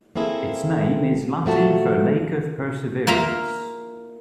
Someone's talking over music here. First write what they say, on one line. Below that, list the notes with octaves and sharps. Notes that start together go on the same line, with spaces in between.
Its name is Latin for Lake of Perseverance.
A#3 C4 E4 G#4 A4
A#2 F3 A3 F#4 A5
A#3 F4 E5 A#5